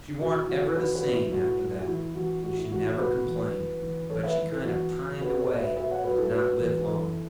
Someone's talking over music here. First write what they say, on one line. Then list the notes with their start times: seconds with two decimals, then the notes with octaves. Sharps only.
She warn't ever the same after that; she never complained, but she kinder pined away and did not live long.
0.21 B2 F#4
0.35 E4
0.48 E2 F#4
0.63 E4 A4
0.76 E2 F#4 B4
0.95 F#4 B4
1.04 B2
1.14 E4
1.32 A2 F#4
1.59 A2
1.79 F#4
1.87 E3 E4
2.15 E3 F#4
2.43 A2 F#4
2.57 E4
2.70 E3 F#4
2.85 E4 A4
2.98 A2 F#4 B4
3.26 E3
3.55 E3
3.82 E3
4.09 E3 A4 C#5
4.23 B4 E5
4.38 E3
4.51 E4 A4
4.65 E2 F#4
4.93 B2
5.21 B2 F#4 B4
5.39 A4 C#5
5.49 B2
5.58 B4 E5
5.76 B2 B4 E5
5.90 C#5 F#5
6.04 B2 F#4 B4
6.18 E4 A4
6.32 B2 F#4 B4
6.60 E2
6.88 E3 E4 A4